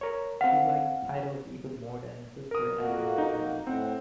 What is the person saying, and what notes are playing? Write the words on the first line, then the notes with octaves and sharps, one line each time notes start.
She liked titles even more than Sister Agnes did.
A#4 C#5
C4 F5 F#5
A#4 D#6
F2 A#3 F#4
D#4
A2 C4 F#5